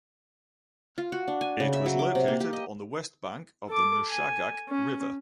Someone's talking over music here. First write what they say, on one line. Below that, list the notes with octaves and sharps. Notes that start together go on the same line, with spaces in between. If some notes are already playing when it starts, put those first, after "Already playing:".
It was located on the west bank of the Nushagak River.
F4
F#4
D4
G#5
C#3
E5
F#3
D6
C3
A#3
G4
D#5
A4 D6
G#5
C#4